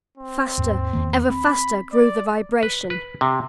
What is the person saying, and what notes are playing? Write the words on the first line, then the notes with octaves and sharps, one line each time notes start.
Faster, ever faster grew the vibration.
C4
D#2 G#2
E2 D#3 A#3
C4 B5
D5
B4
B4
C3